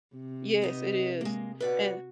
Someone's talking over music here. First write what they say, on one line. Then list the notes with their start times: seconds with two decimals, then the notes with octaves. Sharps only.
Yes, it is, and
0.15 C3
0.62 B3 D#4 D#5
1.21 G#3 A#3
1.60 F#4 B4 D5 F#5